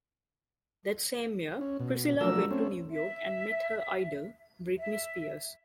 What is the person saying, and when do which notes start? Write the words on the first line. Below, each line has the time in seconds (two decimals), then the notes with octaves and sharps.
That same year, Priscilla went to New York and met her idol Britney Spears.
1.61 C#4
1.80 B2
2.21 F3 F#3 A3 D4 A#4 E6
2.51 A3 C4 C#4
2.91 E5
4.78 E5